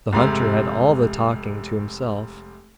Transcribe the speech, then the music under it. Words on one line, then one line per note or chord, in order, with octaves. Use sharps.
The hunter had all the talking to himself.
F1 G#2 C3